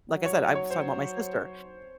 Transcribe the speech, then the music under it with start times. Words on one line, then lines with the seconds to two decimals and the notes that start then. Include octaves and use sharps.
like I said, I was talking about my sister.
0.10 F#3
0.26 C#5
0.55 C#5
0.71 C5